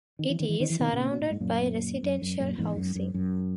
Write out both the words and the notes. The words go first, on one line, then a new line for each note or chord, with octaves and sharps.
It is surrounded by residential housing.
D#3
E3
D#3
E3
D#3
E3
B2 D#3
A#2 C#3
B2
A#2
G#2
F#2 A#2
F#2
F#2
F#2 A#2
E2 G#2
F#2
F#2
F#2